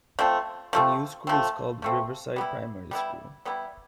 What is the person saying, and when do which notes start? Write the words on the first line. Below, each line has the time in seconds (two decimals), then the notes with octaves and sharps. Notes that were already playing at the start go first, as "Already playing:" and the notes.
The new school is called Riverside Primary School.
0.19 F3 A3 C4
0.73 F3 A3 C4
1.27 F3 A3 C4
1.82 F3 A3 C4
2.36 G3 B3 E4
2.91 G3 B3 E4
3.45 G3 B3 E4